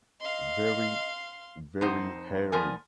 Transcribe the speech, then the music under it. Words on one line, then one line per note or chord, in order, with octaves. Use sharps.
Very, very hairy.
D#5 F5 C6
F2 C4 D#4 C5 F#5
F3 B3 A#4 D5 G#5